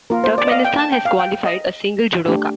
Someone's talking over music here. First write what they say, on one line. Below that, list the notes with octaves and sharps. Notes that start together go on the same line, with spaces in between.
Turkmenistan has qualified a single judoka.
A#3 F4 A#4
C5
D5
D#5
F5
G5
A5
G5
F5
G5
D#5
A3 D4 G4